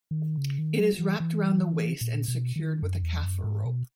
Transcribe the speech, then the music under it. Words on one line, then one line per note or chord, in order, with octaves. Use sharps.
It is wrapped around the waist and secured with a kafa rope.
D#3
C#3
D#3
F#3
E3
E3
A#2
B2
D#3
F#2
E2
F#2
G#2
B2